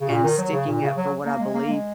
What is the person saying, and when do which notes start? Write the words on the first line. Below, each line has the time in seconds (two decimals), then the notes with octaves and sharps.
and sticking up for what I believe
0.01 C#3
0.09 A#2
0.24 D#3
0.38 F#3
0.53 C#3
0.67 A#2
0.81 C#3
0.97 F#3
1.25 A#3
1.40 G#3
1.54 A#3
1.69 G#3